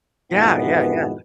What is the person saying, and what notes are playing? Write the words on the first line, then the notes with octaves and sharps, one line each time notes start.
Yeah, yeah, yeah.
F2 G#2 B2 D#3 E3 B3